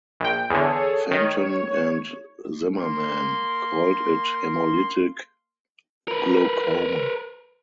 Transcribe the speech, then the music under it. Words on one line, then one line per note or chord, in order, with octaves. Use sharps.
Fenton and Zimmerman called it hemolytic glaucoma.
A#1 G5
E2 D3 G#4 A4 C#5
D#3 C#5
A#3 C6
A#4 B4